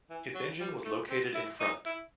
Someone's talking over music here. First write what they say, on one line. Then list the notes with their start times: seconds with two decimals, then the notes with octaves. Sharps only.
Its engine was located in front.
0.10 E3
0.35 F#3
0.60 G3
0.85 A3
1.10 C4
1.35 E4
1.60 D#4
1.86 E4